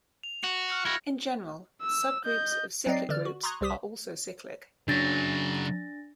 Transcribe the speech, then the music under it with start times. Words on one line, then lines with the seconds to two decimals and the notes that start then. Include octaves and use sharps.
In general, subgroups of cyclic groups are also cyclic.
0.23 F7
0.44 F#4
0.69 F6 F#6 C#7
0.85 E4 F#4 G#6 A#6
1.82 E6
2.25 D#5 G6
2.86 F#3 C4 D#4 D5 D#5 C7
3.09 D3 E3 D5 F6
3.25 F#4
3.43 A#5 C6 C#6 D#6 F#6 G#6
3.61 C2 G3 G4 D#6 B6 E7
4.88 C#3 F#3 D4 A6 A#6